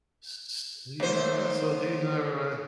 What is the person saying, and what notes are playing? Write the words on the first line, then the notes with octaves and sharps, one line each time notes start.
s s Yeah, so these are my
D#2 C5